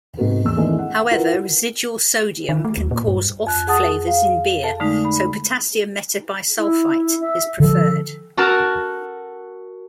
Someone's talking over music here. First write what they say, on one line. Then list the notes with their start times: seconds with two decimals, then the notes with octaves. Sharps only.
However, residual sodium can cause off flavors in beer so potassium metabisulfite is preferred.
0.17 G#2 C3 B3 F#4 A4 B4
0.45 E2 E6
0.56 D#3 E3 G#3 A3 C4 D4
0.79 F#5
1.11 E4 F4 A#4 B4 F#5
2.49 D#3
2.65 A3
2.77 D#2
2.91 A#2
3.08 G2
3.47 F2 F#6
3.67 G#4 F#5 A5 D#6 A6
4.07 F5
4.63 A4 A5
4.80 D3 G#3 A3 D#4
5.05 B5
6.58 E4
7.21 E5
7.60 D3 F3 A4
8.37 F#4 A4 A#4 A5 A#5